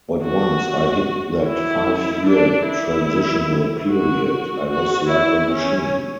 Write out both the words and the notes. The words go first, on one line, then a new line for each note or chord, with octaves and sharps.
But once I hit that five-year transitional period, I was like a machine.
F#4
E4
D4
E4
F#4
F#4
E4
C#4